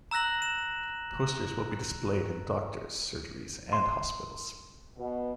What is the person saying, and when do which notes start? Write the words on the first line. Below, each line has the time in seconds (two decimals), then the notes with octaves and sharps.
Posters will be displayed in doctors' surgeries and hospitals.
0.11 A#5 E6 F#6 A#6 F#7
0.42 E7
3.73 C6
4.98 B2